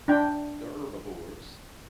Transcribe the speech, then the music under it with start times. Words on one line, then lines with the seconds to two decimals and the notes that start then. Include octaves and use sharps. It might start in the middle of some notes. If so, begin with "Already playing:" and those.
they're herbivores,
0.08 D4 G5